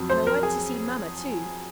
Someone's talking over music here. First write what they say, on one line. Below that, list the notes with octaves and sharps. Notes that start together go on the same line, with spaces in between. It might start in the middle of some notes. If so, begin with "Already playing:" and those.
And I want to see mamma too.
Already playing: F2 F#3 C4
C5
A#4
G#4